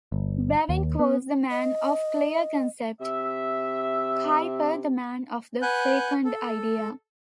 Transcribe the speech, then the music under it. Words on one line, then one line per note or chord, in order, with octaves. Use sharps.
Bavinck was the man of clear concept, Kuyper the man of the fecund idea.
G1
D#2
B3
D#5
C3 E5
B4 F#5 G#5 F#6 G6
A4